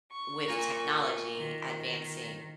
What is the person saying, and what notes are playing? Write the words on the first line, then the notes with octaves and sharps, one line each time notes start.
with technology advancing,
C#6
F4 A#4
D#3